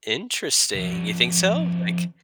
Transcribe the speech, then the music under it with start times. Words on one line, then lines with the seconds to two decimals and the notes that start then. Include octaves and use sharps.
Interesting, you think so? Like,
0.75 F3 C#4